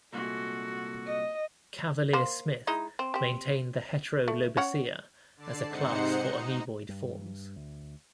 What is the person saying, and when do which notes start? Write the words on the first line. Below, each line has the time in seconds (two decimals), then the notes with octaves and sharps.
Cavalier-Smith maintained the Heterolobosea as a class for amoeboid forms.
0.13 C2 A#2 G#3 F#4 A4
1.07 D#5
2.13 A#3 C5
2.67 G#3 D#4 E4
2.99 C4
3.14 C4 G4
4.28 A3
4.57 C#4 C#5 F#5
5.37 D3 D5 A5 C7
5.68 G#2 C3 D#4 C5 F#5 C#7
6.23 D#4
6.89 G2
7.56 D2